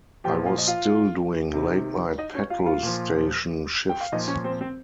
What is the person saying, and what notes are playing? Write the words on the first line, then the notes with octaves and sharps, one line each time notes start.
I was still doing late night petrol station shifts.
A#2 F3 G4 G5
F4 F5
D#5
F4 F5
C3 D#3
D#4 D#5
C#4 C#5
F4 F5
F4 F5
A#2 F3
G5
F5
A#2 F3 D#4 D#5
C#4 C#5
C4 C5
C4 C5